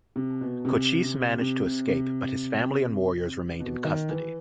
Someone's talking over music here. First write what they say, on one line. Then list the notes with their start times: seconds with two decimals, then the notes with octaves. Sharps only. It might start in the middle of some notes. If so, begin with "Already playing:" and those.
Cochise managed to escape, but his family and warriors remained in custody.
0.16 C3
0.41 B2
0.65 C3
1.02 C3
1.39 C3
1.63 C3
1.88 C3
3.60 B2
3.85 D#3
4.09 E3